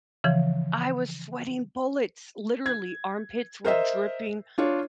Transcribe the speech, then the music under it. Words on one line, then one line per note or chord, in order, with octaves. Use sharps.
I was sweating bullets, literally, armpits were dripping,
C#3 E3 F3
G#6
A#4 C5 D#5 E5
D4 F4 C#5